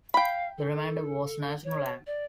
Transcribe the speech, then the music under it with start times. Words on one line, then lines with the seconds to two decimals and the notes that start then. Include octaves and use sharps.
The remainder was national land.
0.14 F5 G5 B5
0.58 A4
1.64 C#5
2.07 D5